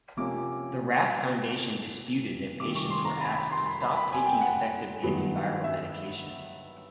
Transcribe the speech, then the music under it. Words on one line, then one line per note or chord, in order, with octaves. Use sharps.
The Rath Foundation disputed that patients were asked to stop taking effective antiviral medication.
C3 F3 A#3 C#4 D6
C3 D#3 G3 D6
C#6
C6
A#5
B5
B5
C6
B5
B5
B5
G#5
G5
F#5
G2 D#3 F#3 B3
E5